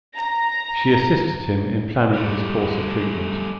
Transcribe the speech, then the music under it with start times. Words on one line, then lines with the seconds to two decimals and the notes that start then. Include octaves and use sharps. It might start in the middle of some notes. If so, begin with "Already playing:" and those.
She assisted him in planning his course of treatment.
0.15 A#5
2.13 G3 A3